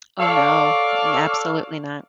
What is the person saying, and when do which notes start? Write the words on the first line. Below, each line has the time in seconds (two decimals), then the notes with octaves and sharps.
Oh, no, n absolutely not.
0.19 A4 C#5 D5 F5